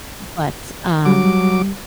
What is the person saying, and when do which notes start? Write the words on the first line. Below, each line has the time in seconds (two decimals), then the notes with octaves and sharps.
but, um,
1.05 F#3 G3 D6